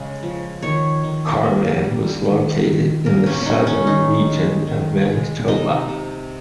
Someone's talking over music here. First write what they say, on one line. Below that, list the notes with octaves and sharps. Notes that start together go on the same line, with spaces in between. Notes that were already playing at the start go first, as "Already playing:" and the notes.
Carman was located in the southern region of Manitoba.
Already playing: C#3 G#3
F3
D#3 C#5
D#3
A#3
G3
D#3
D#3
A#3 A#4
C#4
G3 C#4 D#4
C#4
D#3 D#4
G#3
D#3
G#3
C3 D#4
C3